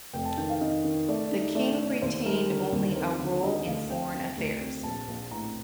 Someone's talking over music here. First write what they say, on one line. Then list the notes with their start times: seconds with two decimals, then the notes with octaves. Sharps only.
The King retained only a role in foreign affairs.
0.13 F1 G5
0.25 A5
0.37 D#3 G5
0.49 F5
0.61 D#3 D#5
0.84 D#3
1.08 A3 D5
1.32 D#4
1.55 A3 D5
1.78 A3
2.02 D#2 C5
2.25 G3 A#4
2.49 D3 A#4
2.72 D#2
2.92 A#4
2.96 C4 C5
3.20 D3
3.43 D3 D#5
3.67 D2 F5
3.90 C4 G5
4.13 C4 G5
4.38 D2
4.61 C4
4.83 A#1 A5
5.07 A#1
5.31 A2 A#5